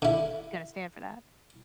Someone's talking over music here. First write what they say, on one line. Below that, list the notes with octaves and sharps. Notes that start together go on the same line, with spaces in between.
gonna stand for that.
D3 E4